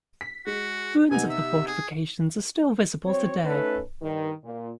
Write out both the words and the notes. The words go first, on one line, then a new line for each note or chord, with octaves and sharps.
Ruins of the fortifications are still visible today.
B6
G#3 F#4
C3 B3 D#4 G#5
E5
G#4
F#3 C4 C#5
A3 C#4 D#4 A4 B4
G2 D#3
A#2